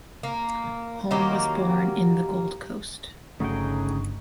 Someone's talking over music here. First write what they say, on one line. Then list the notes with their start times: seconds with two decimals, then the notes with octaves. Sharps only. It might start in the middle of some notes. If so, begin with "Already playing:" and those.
Holm was born in the Gold Coast.
0.23 A#3
1.11 D#3 F#3 A#3 G4
3.40 G1 C#3 F#3 A3 D#4 F#4 G#4 G5